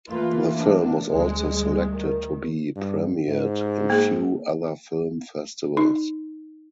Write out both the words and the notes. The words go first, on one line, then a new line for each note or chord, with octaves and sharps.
The film was also selected to be premiered in few other film festivals.
E3 A3 A#3 F4 B4
D4
D2 G3 G#3
D#3
G2
G#2
A#3 G#4
D#4